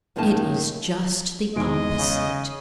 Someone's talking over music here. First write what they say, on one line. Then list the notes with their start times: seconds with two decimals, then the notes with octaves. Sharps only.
It is just the opposite.
0.16 F#2 A2 D#3 A#3 D#4 A5
1.56 G#1 E2 G#3 D#5 D7
1.99 C#3